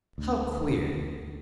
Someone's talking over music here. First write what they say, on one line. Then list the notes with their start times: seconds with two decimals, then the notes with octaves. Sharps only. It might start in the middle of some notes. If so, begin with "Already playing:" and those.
How queer!
0.18 D2